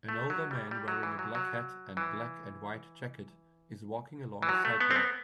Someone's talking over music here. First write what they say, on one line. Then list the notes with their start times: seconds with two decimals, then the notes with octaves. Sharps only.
An older man wearing a black hat and black and white jacket is walking along a sidewalk.
0.09 A3
0.30 F#3
0.51 G3
0.71 G3
0.88 F#3
1.03 E3
1.19 F#3
1.35 F#3
1.97 E3
4.42 E3
4.49 F#3
4.65 A3
4.80 B3
4.91 C4
4.96 B3